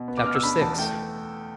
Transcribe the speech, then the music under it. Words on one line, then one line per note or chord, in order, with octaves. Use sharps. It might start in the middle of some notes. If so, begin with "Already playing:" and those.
Chapter VI.
Already playing: B2
B3
D6
B2 F6
E6
D4 B5
E2 A5
A3 G5